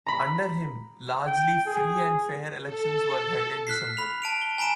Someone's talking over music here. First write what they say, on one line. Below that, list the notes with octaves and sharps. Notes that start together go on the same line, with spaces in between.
Under him largely free and fair elections were held in December.
A#5 B5
G5
G#4
A4
F6 F#6 B6 C7
B5 F7
A5 D7 F7
G7
G#5 A#5 B5 D7 E7